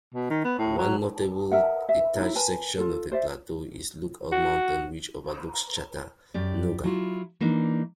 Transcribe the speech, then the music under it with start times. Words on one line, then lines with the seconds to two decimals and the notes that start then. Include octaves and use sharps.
One notable detached section of the Plateau is Lookout Mountain, which overlooks Chattanooga.
0.14 B2
0.30 D#3
0.44 B3
0.58 A2
0.78 F#3
1.51 A#4 E5 F#5
1.89 E5
2.16 D#4 E4
2.35 A#4 B4 G#5 A5
2.77 F4 A4
3.12 C5 D5 E5
4.32 F#4
6.34 F#2 G4 D5
6.84 F#3 E4 F4
7.40 E3 A#3 D4 D#4